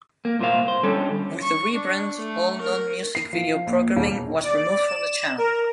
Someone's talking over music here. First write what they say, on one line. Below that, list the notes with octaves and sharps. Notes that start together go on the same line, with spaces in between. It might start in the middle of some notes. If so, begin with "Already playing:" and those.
With the rebrand, all non-music video programming was removed from the channel.
A#3
C2 A#2 A#3 C5 F5
C5
D3 G3 C#4 A4
C#6
D4
A3
A#4
C7
F3
A#1
E1
D5
E7
A#4